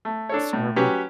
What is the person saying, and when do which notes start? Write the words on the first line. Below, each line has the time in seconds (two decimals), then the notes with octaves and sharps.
That's terrible.
0.05 A3
0.29 D4 A4 C#5
0.53 A2
0.76 F#3 C#4 G4 B4